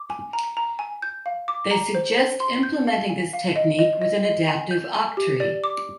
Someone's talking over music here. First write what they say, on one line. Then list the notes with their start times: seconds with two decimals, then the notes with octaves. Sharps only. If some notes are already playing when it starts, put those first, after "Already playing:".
They suggest implementing this technique with an adaptive octree.
Already playing: D6
0.10 G#5
0.33 A#5
0.57 A#5
0.79 G#5
1.02 G6
1.26 F5
1.48 D6
1.71 A#5
1.95 C5
2.18 C5
2.40 C6
2.63 G6
2.87 F5
3.09 G#5
3.33 F5
3.56 D#5
3.79 D#5
4.02 D#5
4.25 D#5
4.49 G#5
4.71 G6
4.94 G#5
5.17 G4
5.40 D5
5.64 D6